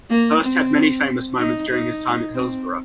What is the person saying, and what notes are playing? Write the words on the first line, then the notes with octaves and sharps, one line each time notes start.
Hirst had many famous moments during his time at Hillsborough.
A#3
C4
D#4
D#4
C4